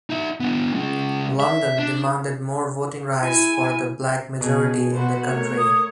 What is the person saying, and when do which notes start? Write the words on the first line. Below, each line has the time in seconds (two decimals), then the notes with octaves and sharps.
London demanded more voting rights for the Black majority in the country.
0.10 D#4 E5
0.40 B3 D4
0.74 G#3 C#4
1.40 E5
1.79 D4
3.21 E4 G#5
4.41 B2 G#4
4.93 F#4 B4 C5
5.26 A3 A#4 C#5
5.58 D#6